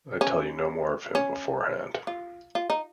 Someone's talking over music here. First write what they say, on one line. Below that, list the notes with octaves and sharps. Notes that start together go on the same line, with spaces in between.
I tell you no more of him beforehand.
C#4
C#4
F4
F4
D#4